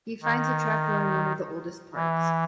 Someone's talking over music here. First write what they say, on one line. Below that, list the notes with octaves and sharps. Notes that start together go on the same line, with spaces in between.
He finds a trapdoor in one of the oldest parts.
D#3
E3